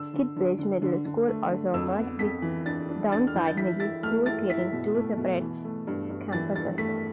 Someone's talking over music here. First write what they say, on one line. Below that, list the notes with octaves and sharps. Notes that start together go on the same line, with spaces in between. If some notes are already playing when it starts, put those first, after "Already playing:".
Kitbridge Middle School also merged with Downside Middle school, creating two separate campuses.
Already playing: D3 E6
D3
D3
D3
D3
D3
A3
D3
F2 E6
B3
F2 B6
E3
D4 A6
D4
D4 A6
F6
E3 G6
A6
E4 B6
E4 A6
A3 F6
E4 A6
E4 B6
B2
A3
B2
E3
A3
G2
G2
E3 A6
G2 A6
A3 B6